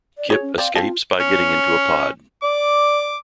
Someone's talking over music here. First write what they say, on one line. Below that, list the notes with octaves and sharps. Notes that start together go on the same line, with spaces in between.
Kyp escapes by getting into a pod.
D5
F#4 G#4 C#5
C#4
C4 D5 F5
C4 F4 F5 A5
C#4
D5 D6